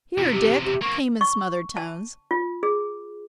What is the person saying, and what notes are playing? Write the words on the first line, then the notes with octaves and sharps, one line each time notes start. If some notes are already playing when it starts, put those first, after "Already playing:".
"Here, Dick," came in smothered tones.
E2 C3 F4
G4
G4
A#3 C4 C#6
C#6
A5
F4
G#4